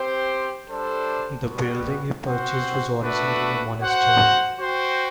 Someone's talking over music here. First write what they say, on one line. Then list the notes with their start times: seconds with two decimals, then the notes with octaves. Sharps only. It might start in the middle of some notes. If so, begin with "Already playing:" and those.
The building he purchased was originally a monastery.
Already playing: C4 G4 C5
0.66 G3 D4 A4 C5
1.45 G3 B3 F#4
2.23 C4 F#4 C5 F#5
3.03 A3 D4 F#4 B4 E5
3.81 F#4 C5 F#5
4.60 F#4 C5 G5